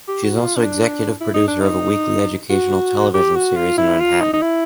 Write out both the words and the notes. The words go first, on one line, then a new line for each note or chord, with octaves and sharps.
She is also Executive Producer of a weekly educational television series in Manhattan.
G4
F#4
F4
D4
E4
D#4
D4
D#4
F#4
G4
F#4
F4
E4
F4
D#4
D#4
E4